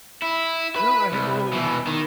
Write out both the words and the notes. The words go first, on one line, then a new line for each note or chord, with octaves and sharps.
No, I hadn't really
E4
B4 B5
C2
B2 E3
D#3